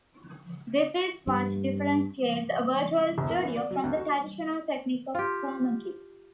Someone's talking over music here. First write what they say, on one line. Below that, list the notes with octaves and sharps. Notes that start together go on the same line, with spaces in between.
This is what differentiates a virtual studio from the traditional technique of chromakey.
G2
E1
A#4
E3
D5
F#3
D2
F#4
F4 G4